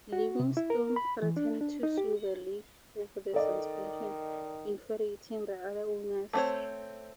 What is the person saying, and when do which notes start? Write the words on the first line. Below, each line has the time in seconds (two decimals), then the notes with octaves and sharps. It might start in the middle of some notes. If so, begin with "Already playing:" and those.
Livingstone threatened to sue the league over the suspension, infuriating the other owners.
0.13 F#4
0.40 C3
0.57 E4
0.70 A#4
0.96 B5
1.22 E3
1.37 D4
1.61 D4
1.83 D#4
1.98 G4
3.34 D#3 A4 D5 D#5
6.33 A3 B3 C4 C5 C#5